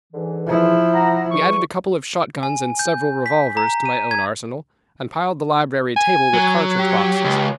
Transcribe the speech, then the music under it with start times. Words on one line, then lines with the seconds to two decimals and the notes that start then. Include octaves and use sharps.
We added a couple of shot-guns and several revolvers to my own arsenal, and piled the library table with cartridge boxes.
0.13 G#2 D3 E3
0.46 F3 E4
0.94 F#5 A#5
1.32 E2 C#6
2.43 G#5
2.79 G6
3.26 B6
3.57 A#5
3.85 D#7
4.11 G#6
5.96 G#5
6.34 F#3
6.79 G4
7.25 C#2